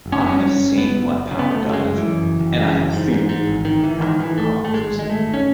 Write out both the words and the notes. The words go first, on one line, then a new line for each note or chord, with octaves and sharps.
I have seen what power does, and I have seen what power costs.
F#1
C#4
B3
F#2 C#4
F#1
F#1
F#1 B3
F#1
F#1
C#3
B3
F#1 A3
C#3
G#3
F#2
E3
F#2
F#1
F#1
C#3
F#1
G#2
G#2
G#2
G#1
G#1 D#3
G#1 E3
G#2 D#3
G#2 E3
G#1 A3
G#1
A3
G#1 G#3
G#1
G#3
G#1 A3
G#1
C#4